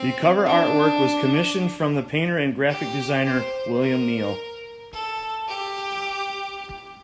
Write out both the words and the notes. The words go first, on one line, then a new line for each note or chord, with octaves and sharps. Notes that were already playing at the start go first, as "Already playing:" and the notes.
The cover artwork was commissioned from the painter and graphic designer William Neal.
Already playing: C4
D4
G4
C5
A#4
A4
G4